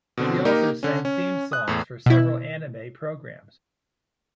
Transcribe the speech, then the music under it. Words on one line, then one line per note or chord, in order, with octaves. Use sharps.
She also sang theme songs for several anime programs.
B2 D3 C4
A#3 D#4 G4 A#4
D3 C#4
C#4
D#6 F#6
E2 A2
B2 E4